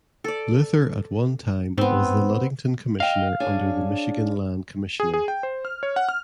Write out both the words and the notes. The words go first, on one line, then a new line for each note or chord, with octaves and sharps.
Luther at one time was the Ludington commissioner under the Michigan land commissioner.
A4 D5
G#2 B3 C4
D#5 F5 G5
D4 G#4 C#5
G#4
G#4
G5
C5
F6
C#5
F#5
F6